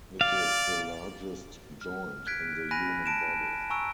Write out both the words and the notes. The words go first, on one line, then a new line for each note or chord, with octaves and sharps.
It is the largest joint in the human body.
D5 F5
F6
F#6 G#6 B6 D7
G#5 B5 F#6 A#6 D#7
A5 D7 E7
G#5 A#5 C#6 E6 D7